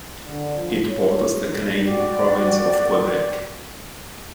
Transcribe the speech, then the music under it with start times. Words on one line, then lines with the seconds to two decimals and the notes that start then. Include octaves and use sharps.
It borders the Canadian province of Quebec.
0.25 D3
0.55 F3
0.86 C#5
1.41 D#3
1.84 F#4 D5 G5